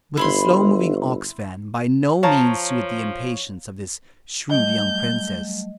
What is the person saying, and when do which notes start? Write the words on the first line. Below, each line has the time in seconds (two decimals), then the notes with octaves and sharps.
But the slow-moving ox-wagon by no means suited the impatience of this shrewd young princess.
0.17 G1 E4 B5 C6
2.23 F3 C#5 F5 A5 A#5
4.51 F#3 G3 A3 D#5 G6